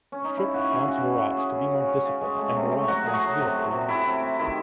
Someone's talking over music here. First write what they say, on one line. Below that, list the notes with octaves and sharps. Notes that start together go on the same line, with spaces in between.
Ashok wants Virat to be more disciplined and Virat wants to be left alone.
C#4
D#4
C#3 E4
C#3 F#4
C#3 E4
C#3 F#4
C#3
C#3
C#4 G#4
C#4
C#3
C#4
C#3
G#3
A3
C3
A3
F#3 F#4
A3 G#4
F#4
F#3
C3
A3
C3
C3 E4
C3
C3
D#3 E4